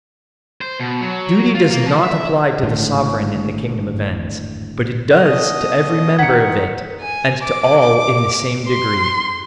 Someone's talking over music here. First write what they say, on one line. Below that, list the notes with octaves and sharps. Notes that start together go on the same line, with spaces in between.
Duty does not apply to the sovereign in the kingdom of ends, but it does to every member of it and to all in the same degree.
C5
B2
F#3
F4
A#3
F3
E5
G#1 A2 D3
B2 D#5 F#5 D#6
D#3 D#4 F#5 G#6 B6 C#7
G#5
D6
C6